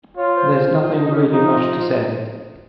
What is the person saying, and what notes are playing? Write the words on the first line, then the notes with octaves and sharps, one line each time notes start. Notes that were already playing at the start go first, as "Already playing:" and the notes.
There's nothing really much to say.
F4 C#5
C5
F4
D#4
D#4
C#4
F3 D#4